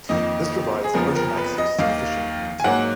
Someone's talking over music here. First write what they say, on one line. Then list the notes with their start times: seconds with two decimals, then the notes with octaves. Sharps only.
This provides ocean access to the fishing community.
0.09 F2 D#3 A#3 D#5
0.84 G#4
0.94 F#1 F2 F3 B3 A#4
1.16 A#4
1.37 B4
1.58 D#5
1.79 D#2 D#3 A#3 F5
2.60 G#5
2.64 G#2 F#3 A#3 F#5